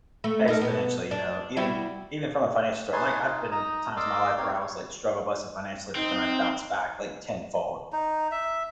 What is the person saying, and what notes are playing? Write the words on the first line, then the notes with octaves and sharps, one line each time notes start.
exponentially, you know, even even from a financial story, like, I've been in times in my life where I was, like, struggle busing financially, but then I've bounced back, like, tenfold.
A3
D#4 A4 A#4
B2 B3
D4
G3 E4 F#4
D#4 B4 C#5 G#5 A5 C6
D#4 F4
D#4 A#5 D#6
A#4 D5 D#5 C6 D6 E6
C4 D#4 G4 C#5 F5
C#5
C4 D#4
D#4
E5